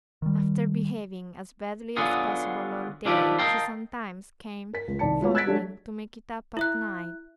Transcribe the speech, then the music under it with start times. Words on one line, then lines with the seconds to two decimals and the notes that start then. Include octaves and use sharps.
After behaving as badly as possible all day, she sometimes came fondling to make it up at night.
0.22 D#3 G3
1.97 D3 F#3 B3 F4 G#4
3.05 D#3 F3 D4 E4 F4 G4
3.39 A#4 D#5 F5 G5 A5 C6
4.73 A#4 B6
4.88 C#2
4.99 C2 D#3 D5 A5 C#7
5.21 G#3 B3 F4 F#4 B4 C#5
5.35 E6 F#6 G#6 A6 B6 D7
5.47 F#3 G#3 A3 D4 G4
6.57 E4 E5 F#6